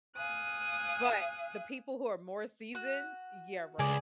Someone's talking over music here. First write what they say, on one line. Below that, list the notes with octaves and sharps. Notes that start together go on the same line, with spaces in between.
but the people who are more seasoned, yeah, right.
F5 G#5 D#6 F#6
F#4
C#2 G#4 D5